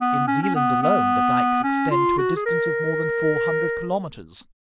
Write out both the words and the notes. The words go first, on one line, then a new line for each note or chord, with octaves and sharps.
In Zealand alone the dikes extend to a distance of more than four hundred kilometres.
B3
C#4
C#4
B3
B3
C#4
F4
F#4
G#4
A#4